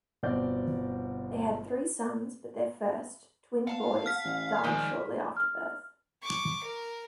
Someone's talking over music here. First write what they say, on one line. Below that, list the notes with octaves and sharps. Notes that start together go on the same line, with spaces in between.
They had three sons but their first, twin boys, died shortly after birth.
G1 B2 C4 D5 G6
F5 F#5 A5
F6 B6
A1
D#3 F3 G#3 D#4 D5
F6
C#6 D6
A#4